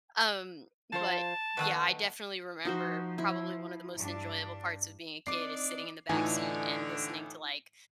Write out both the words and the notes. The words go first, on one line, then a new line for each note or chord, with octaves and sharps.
Um, but yeah, I definitely remember probably one of the most enjoyable parts of being a kid is sitting in the backseat and listening to like,
F3 F4 C5 A5
F2 B2 D#3 A3 B4 F#5
F3 D#4 F#4 C5
E4
G2 D4
C4 D4 D#4 D5 D6 C7
A2 D3 E3 D#4 F4 A4 G#5